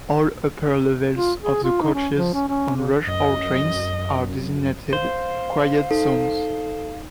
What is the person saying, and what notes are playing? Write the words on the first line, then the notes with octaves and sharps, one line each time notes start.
All upper levels of the coaches on rush hour trains are designated "Quiet Zones".
F4
G#4
F4
D#4
C#4
F3
C#4
C#4
C#3
F#2 D#5
C5 F5
D#4 A4